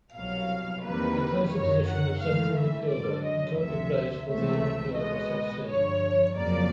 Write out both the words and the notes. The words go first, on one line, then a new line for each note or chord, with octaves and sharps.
He plays the position of central midfielder and currently plays for the Olympiacos FC.
C2 B2 F#3 F5
E2 C3 D#3 G3 A#3 B4
F#2 D#3 F#3 C#5
F#5
G#2 E3 A3 F5
E5
F#2 D3 F#3 D5
D#5
D2 C3 F3 E5
C#2 C3 E3 A3 E5
B2 G#3 B3 D#5
G2 D3 F3 C#5
F2 C#3 F#3 A#3 D5